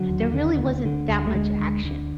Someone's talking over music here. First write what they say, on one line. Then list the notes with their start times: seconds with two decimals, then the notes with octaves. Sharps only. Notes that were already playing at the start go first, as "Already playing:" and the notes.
there really wasn't that much action.
Already playing: D3 F#3
0.09 D#2
0.34 D3
0.59 D2
0.85 D3
1.10 D2
1.27 A3
1.34 D3 G#3
1.60 D2
1.85 D3